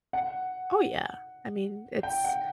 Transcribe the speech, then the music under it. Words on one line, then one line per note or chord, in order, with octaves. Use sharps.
Oh, yeah. I mean, it's
F#5
G5
F#5